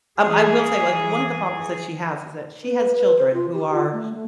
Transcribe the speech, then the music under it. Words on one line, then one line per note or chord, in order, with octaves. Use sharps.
um, I will say, like, one of the problems that she has is that she has children who are,
E3 G#4
B4
B4
C5
F4
G4
F4
A3
A3